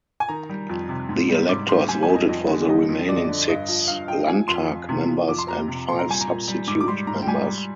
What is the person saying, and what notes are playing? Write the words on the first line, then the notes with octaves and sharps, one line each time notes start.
The electors voted for the remaining six Landtag members and five substitute members.
G#5
D#3 A#5
G3
F2
C3
G#2
G3
G#2 D6
G3 C6
G3 G#5
G#5
F2
D#5
F2 D#5
D3
G3 D#5
F2
F2 D5
D#5
D3 D5
G2 D#5
F3
G2 F5
F3 G5
F3 G#5
F2 C6
F2
C3
F3
F2 D6
C6
F2 A#5
C3
A#2 C6
A#5
G3 G#5
A#5
A#2
G3
G#2 D6
D6
G3 C6
G#2 A#5
G5
G3 G#5
G3